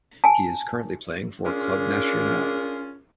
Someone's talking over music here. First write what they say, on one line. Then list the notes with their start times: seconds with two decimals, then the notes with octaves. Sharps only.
He is currently playing for Club Nacional.
0.24 G#5 A5
1.45 C#4 D4 F4 G#4 A#4